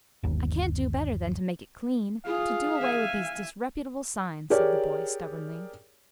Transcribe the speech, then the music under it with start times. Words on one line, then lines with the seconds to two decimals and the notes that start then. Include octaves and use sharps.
"I can't do better than to make it clean--to do away with these disreputable signs," said the boy, stubbornly.
0.23 G1 D#2
2.26 F4 G#4 F5
2.78 E5 G#5
4.50 G4 G#4 A#4 C#5 D5